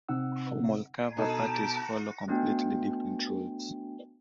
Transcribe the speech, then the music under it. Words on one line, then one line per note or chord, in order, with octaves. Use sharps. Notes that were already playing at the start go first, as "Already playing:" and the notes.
Formal kava parties follow completely different rules.
C3 C4 D#4 F#5 E6
B2 D#4 A4 A5 A#5
A3 B3 D4 F#4 G5